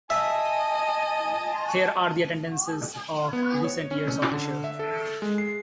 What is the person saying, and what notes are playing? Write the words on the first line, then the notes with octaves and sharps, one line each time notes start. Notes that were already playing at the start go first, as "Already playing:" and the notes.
Here are the attendances of recent years of the Show.
D#5 E5 G#5 A5
B3
C#5
C#4
D3
E5
A4
G#3
C7